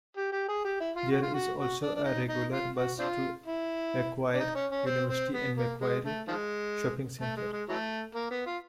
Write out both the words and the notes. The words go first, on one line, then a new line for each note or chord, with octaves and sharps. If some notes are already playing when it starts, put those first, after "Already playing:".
There is also a regular bus to Macquarie University and Macquarie shopping centre.
G4
G4
G#4
G4
E4
F4
F#4
F4
F#4
F#4
D4
D4
D#4
D#4
F4
F#4
C4 D4 F4
E4
D4
D#4
C#4
C#4
C4
C4
B3
A#3
G#3
A3
D#3 F3 G#3
A3
G#3
G#3
E3 F#3 A3
A#3
B3
F4